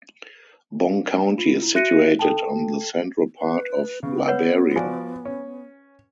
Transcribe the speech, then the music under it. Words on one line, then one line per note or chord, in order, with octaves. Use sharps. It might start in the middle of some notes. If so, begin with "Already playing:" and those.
Bong County is situated in the central part of Liberia.
F4
E4
F#4 E5 F#6 A#6 C#7 D#7
A4 G5 A5
B4
C#3 B3
B4 C#5 F#5
F3 F#4 D5 G#5
C#4